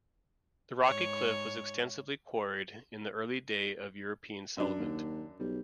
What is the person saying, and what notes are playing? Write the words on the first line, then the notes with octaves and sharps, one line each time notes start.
The rocky cliff was extensively quarried in the early day of European settlement.
G#2 C#5
F#2 F#3 D4
D#2
B1 G3